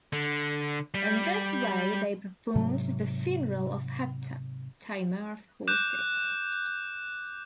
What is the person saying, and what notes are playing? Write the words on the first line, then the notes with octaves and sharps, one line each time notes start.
In this way they performed the funeral of Hector, tamer of horses.
D3
G3
G#2 C3 F#3
D6 F#6 G6 E7